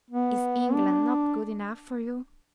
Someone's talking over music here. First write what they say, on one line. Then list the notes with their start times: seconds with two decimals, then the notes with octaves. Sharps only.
"Is England not good enough for you?"
0.10 B3
0.74 D4